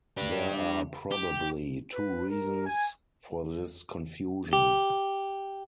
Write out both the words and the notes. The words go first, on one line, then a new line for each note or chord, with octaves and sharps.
There are probably two reasons for this confusion.
D4 G4
G4
B4
A#4
G#5
G4